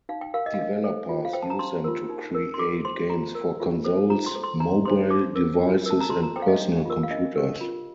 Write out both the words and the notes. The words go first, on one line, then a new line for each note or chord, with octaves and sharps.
Developers use them to create games for consoles, mobile devices and personal computers.
D#4 F5
G5
A#4 F5
D#5
F5
D4 D#5
A4 C5
F4
F5
C5 G5
A5
A#5
D4 C6
F4 A#4
D#4
A#4
C6
F4 D6
C5 C6
F4 A#5
A#4
F4
A4 C5
F4 A#5
C6
A4 C5
C6
D#4 A#5
A4 C5 C6
D#4 D6
A#4
F4
A#4 A5
A#5
F4 C6
A#5
A4 C5 G5
F5
D#5
D4
F4 A#4
F5
D4 D#5
G4 A#4
F4